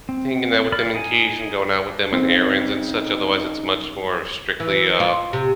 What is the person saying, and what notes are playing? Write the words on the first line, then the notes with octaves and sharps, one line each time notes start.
hanging out with them on occasion, going out with them on errands and such, otherwise, it's much more strictly a
C4
A#4 D5 B5
D#4 G#5
C#3 C4 D#4
E3
F4
C3